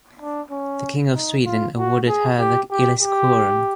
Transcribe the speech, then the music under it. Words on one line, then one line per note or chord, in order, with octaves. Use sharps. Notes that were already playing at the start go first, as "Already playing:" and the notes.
The King of Sweden awarded her the Illis quorum.
D4
C#4
D#4
F4
F#4
G#4
G4
G4
G4